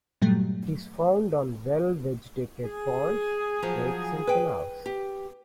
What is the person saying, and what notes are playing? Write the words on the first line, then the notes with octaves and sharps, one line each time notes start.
It is found on well-vegetated ponds, lakes and canals.
G2 A#2 F#3 G3 A3
G#4
F3 F#3
B4 G5
G4